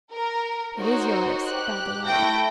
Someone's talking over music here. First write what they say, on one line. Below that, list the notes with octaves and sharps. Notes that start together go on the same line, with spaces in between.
"It is yours," bowed the lawyer.
A#4
D#4 F#4 A#4 C5 C#5
G4 F#6
A3 E4 G5 G6 A#6